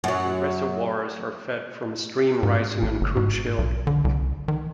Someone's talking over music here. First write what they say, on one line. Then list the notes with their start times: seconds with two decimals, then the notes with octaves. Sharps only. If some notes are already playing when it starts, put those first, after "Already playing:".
The reservoirs are fed from a stream rising on Creuch Hill.
0.04 F#2 F#3
2.43 G#2
2.82 A1
3.01 G1
3.17 G#2
3.58 B1
3.87 D3
4.04 C2
4.48 D#3